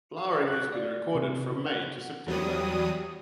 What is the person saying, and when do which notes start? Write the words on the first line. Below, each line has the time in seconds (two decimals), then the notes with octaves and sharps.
Flowering has been recorded from May to September.
0.18 F5
0.47 F#6
0.73 D5
1.15 C3
1.51 C#3
1.66 F#5
2.27 E2 F#3 G3 D#6